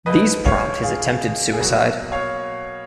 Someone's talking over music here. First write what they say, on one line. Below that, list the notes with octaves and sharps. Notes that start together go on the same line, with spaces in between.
These prompt his attempted suicide.
F2 C#3 F3 B4 D#5
C#5 F5
F4 G#4
G#4
B2 F#3 A#3 F#4
C#5 F5